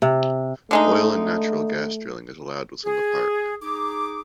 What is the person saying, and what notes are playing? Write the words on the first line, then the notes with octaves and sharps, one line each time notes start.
Oil and natural gas drilling is allowed within the park.
C3
D3 G#3 A3 D#4
G#4
D#4 G#4 D6